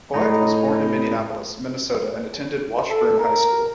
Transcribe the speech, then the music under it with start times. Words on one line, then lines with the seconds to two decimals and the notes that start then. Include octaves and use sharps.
Hoag was born in Minneapolis, Minnesota, and attended Washburn High School.
0.14 A2 D#4
2.90 A4
3.20 A#4